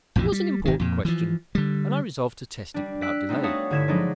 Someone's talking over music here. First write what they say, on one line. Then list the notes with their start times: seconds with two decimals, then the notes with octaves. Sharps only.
It was an important question and I resolved to test it without delay.
0.16 A#1 F2 A2 E3
0.32 G3
0.65 G#1 D#3
0.80 F2 A#2
1.05 E3 F3
1.55 D3 G3
2.74 G3 D4
3.02 E6 F#6 B6 D7
3.29 G3 A3 B3 C4 D#4
3.43 F#4 C#5 E5 F5 A5 D#6
3.70 G1 D3 E4 G#6 B6 E7
3.88 F3 F#3 G#3 D4 D#4 G#4